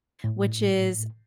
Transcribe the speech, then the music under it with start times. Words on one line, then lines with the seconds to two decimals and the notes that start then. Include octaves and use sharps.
which is
0.24 A2